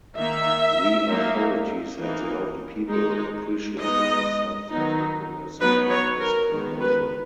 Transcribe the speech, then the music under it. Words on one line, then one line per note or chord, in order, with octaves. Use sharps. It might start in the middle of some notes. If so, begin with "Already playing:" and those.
The authorities and the local people appreciated his sense of diplomacy and his composure.
D#3 A#3 D#4 E5
F#3 A#3 D#4
E3 A#3 D#4
G#3 D#4
G#3 B3 D#4 D#5
D#3 F#3 B3 D#4
F#3 B3 D#4 B4
C#5
A#4
D#3 G#3 B3
B4